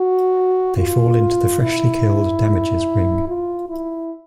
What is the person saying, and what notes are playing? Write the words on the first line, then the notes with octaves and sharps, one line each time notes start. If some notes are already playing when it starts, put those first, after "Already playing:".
They fall into the freshly killed Damage's ring.
Already playing: F#4
F4
E4
F4
E4